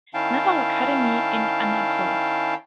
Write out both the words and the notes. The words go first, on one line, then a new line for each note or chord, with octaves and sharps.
Naval Academy in Annapolis.
D#3 C#4 E4 F5 G5 A5